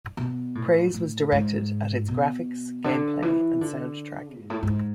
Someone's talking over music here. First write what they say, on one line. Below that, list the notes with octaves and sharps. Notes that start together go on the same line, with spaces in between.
Praise was directed at its graphics, gameplay, and soundtrack.
B2
A2
A2
G#2
B2
D3
E3
D3
G#2
A2
G#2